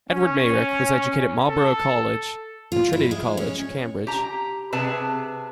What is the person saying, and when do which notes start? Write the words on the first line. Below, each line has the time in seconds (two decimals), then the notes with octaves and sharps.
Edward Meyrick was educated at Marlborough College and Trinity College, Cambridge.
0.11 C#4
1.49 A4
2.72 F4
2.93 E4
3.11 G#3
3.37 C#4
4.07 G4 A#5
4.73 C3 G#4 B4 A5